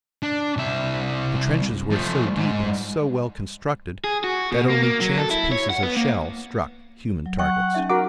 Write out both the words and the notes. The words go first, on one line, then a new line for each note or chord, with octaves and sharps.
The trenches were so deep and so well constructed that only chance pieces of shell struck human targets.
D4
C2 E5
F3 A3
G#2
G#4
F#4
B2
A#3
A#3
F#3
A4
E4
C#5
F#5
B3
A#3
F#3
F#5 G5 C#6
C#4 D#4 E5
F#4 A#4 F5 F#5 D6